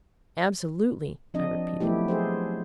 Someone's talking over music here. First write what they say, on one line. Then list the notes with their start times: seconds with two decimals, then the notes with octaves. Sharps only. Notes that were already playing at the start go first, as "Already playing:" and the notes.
"Absolutely!" I repeated.
1.34 F3 C4 D4 D#5
1.80 F3 F#3 A3 B3 E4 G4
2.08 G#4 A4 C5